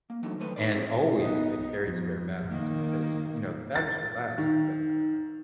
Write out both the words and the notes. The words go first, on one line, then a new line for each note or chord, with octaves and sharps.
and, always, I carried spare batteries because, you know, the batteries would last, but, uh,
A#3
E3 F#3 A3 D4 D#4
D#3 F#3 A3 B4 C5
D#4 B4 D5
C4 F4 G#4 A4 C#5
B3 D#4
F2
D#3 A#3
A6
D#3